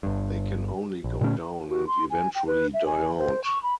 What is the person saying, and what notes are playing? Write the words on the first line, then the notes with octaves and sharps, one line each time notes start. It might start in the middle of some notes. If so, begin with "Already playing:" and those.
They can only go down, and eventually die out.
G1 G2
A#1
A#2 D3 A3 C#4
F#4
C6
G#5
G5
B4
E5
G#5
C5
C#6
B5